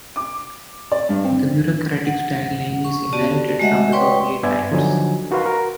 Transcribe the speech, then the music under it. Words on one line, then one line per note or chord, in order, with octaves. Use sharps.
The bureaucratic-style name is inherited from the Soviet times.
D6
D5
G2
C4
F#5
C#6
B3 F#4 G4 D5 A5
G#3 A3 F#4 D#5 E5 F#5
B4 C#5 D5 G5 C6 C#6
G2 B3 D5 E5 G#5 G#6
D3 F3 F#3 D#4 G#5
D#4 F#4 A#4 B4 F5 C6
A#4